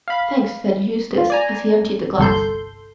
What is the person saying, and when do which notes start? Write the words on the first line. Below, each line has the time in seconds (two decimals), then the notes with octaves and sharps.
"Thanks," said Eustace, as he emptied the glass.
0.08 F5 B5
1.18 F4
1.30 D5 G#5 A#5
2.18 G1 C2 A4 C6 G6